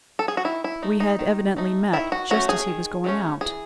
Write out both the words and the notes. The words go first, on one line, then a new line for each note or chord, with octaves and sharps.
We had evidently met just as he was going out.
A4
G#4
F#4
D#3 E4
E4
A3 D#4
D#4
D#3
A3 D#4
D#3 E4
F#4
F#3 A3 C#4 F#4
G#4
D#3
F#3 A3 C#4
E3 G#4